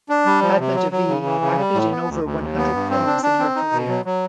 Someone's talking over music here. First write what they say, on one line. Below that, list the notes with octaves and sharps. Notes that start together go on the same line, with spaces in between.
Padma Devi acted in over one hundred films in her career.
D4
G3
F3
C3
F#3
F#3
C#3
E3
C#3
G3
A2
B3
D2
D2
D#2
B3
G2
C4
D4
D4
C4
D#4
B2
F#3
F#3